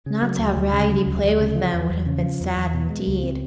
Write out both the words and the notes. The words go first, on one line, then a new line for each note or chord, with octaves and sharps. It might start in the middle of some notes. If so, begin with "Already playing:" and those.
Not to have Raggedy play with them would have been sad, indeed.
C#3
F#3
D2
D2
C#3
F#3
D2
D2
C#3
F3
E2
E2
C#3
F3
E2
E2
B2
G#3
C#2
C4